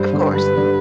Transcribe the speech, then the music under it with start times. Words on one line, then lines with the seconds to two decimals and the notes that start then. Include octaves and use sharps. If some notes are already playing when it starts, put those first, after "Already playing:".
Of course.
Already playing: G2 C5
0.13 D3 G3
0.33 G2 B4
0.54 D3 G3